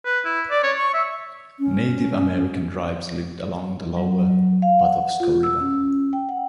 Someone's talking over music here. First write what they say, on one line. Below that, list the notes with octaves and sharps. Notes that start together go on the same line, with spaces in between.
Native American tribes lived along the lower Patapsco river.
B4
E4
D5
C#5
C#6
E5
C#4
F#3
F5
F#5
F4
E6
C#4
G5
F#5